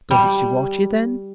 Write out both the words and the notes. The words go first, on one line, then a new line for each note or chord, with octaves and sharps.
"Doesn't she watch you, then?"
G3